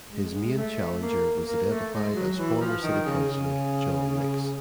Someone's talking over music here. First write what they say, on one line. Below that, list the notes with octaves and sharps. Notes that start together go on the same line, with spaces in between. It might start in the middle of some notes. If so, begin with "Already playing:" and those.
His main challenger was identified as former city councilor John Nix.
G#3
G#3
A3
A#3
A#3
A3
G#3
F#3
E3
F3
D#3
C#3
C#3